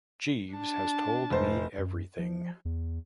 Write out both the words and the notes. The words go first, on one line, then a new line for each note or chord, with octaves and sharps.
Jeeves has told me everything.
D4 A5
F1 C5
F#2
F3
E2